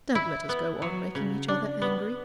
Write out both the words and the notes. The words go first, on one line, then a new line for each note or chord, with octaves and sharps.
'Don't let us go on making each other angry.
E4
B3
F#3
C#3
D4
B3